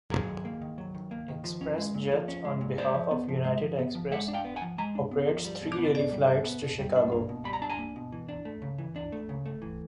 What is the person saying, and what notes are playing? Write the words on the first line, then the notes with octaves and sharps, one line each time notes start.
ExpressJet on behalf of United Express operates three daily flights to Chicago.
F#3 G#4 A#4
D#3
A#3
D#3
F#3
D#3
A#3
D#3
F3
C#4
G#3
A#2
F3
C#4
G#3
A#2
G#3 C5 D5
F3
B3
F3
G#3
F3
B3
F3
G#3 E5 F#5
D4
F5 G5
B3
F#5 G#5
F3
G#3 G#5 A#5
D4
B3
F3
G3
B2
B3
B2
G3
B2
B3
B2
G3
D4
A#3
B2
G3 B5
A#5
D4 A5
G#5 A#5
A#3
B2
E3
D4
A3
C#3
E3
D4
A3
C#3
A3
E3